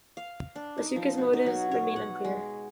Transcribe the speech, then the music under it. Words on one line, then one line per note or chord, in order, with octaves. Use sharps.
Matuska's motives remain unclear.
F5
D4
D#4
F3
B2
D#4
F#3
C#5
F#5
G#3